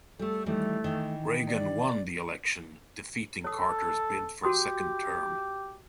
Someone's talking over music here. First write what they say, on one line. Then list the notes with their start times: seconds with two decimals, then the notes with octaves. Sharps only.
Reagan won the election, defeating Carter's bid for a second term.
0.19 G3 A3 A4
0.46 D#3 E3 G3 A3
0.84 D#3 E3
1.48 D5
3.44 A4 C#5 D#6
4.43 F#4 G4 C6 D#6